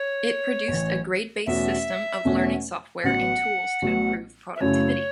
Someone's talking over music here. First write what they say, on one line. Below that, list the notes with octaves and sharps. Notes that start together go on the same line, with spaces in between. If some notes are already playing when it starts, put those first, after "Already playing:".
It produced a grade-based system of learning software and tools to improve productivity.
Already playing: C#5
A1 A2 E3
E2 B2 A3 C#4 F#4 E5
E2 B2 A3 C#4 F#4
A1 A2 F#3 B3 F#5
A1 A2 F#3 B3
E5
F#2 C#3 A3 E4 C#5